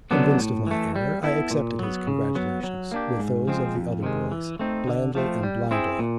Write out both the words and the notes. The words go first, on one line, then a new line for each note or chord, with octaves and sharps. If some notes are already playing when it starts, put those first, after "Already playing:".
Convinced of my error, I accepted his congratulations, with those of the other boys, blandly and blindly.
D3 F#3 B3 D4
A2
E3 A3
G3
B3 E4 A4
A#2
F#3 B3
C#3
F#3 B3
F#3
A#3 D4 G4
G#2
F3 G#3 C4
F2
C3 D#3 G#3
E3
A3 C4 D#4
D3
F3 A3 C4
G3
C4 E4 G#4
A#2